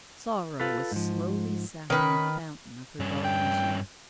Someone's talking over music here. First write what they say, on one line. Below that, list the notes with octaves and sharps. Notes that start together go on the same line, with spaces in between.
Sorrow was slowly sapping the fountain of her darling's youth.
F4 A4 B4
G#2 F3
D#3 C#4 B4
G2 C#4
G5